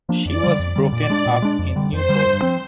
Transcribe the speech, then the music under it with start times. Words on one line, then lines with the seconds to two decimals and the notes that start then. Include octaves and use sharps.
She was broken up in Newport.
0.09 F3 A#3 D4
0.26 F2 D5
0.43 D3 G3
0.59 F2
0.76 D3 G3
0.92 A#2 D5
1.10 G#3 D4
1.26 A#2
1.42 G#3 D4
1.59 F2
1.76 D3 G3
1.92 F2 C5
2.09 D3 G3
2.26 G2
2.42 F3 C4